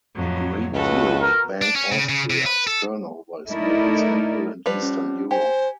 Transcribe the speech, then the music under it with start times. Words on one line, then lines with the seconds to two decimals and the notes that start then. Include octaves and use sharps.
A great deal of Bank Austria's turnover is made in central and eastern Europe.
0.15 F2 A2 F#3
0.73 C#2 F#4 A4 B4
1.21 A#4
1.62 D4
1.76 C#4
1.92 C#3
2.09 C#3
2.30 C3
2.46 B4
2.67 A4
3.49 A3 D#4 E4 A#4 D5 D#5
4.66 F3 G3 B4
4.83 C#4
5.31 G4 C5 G#5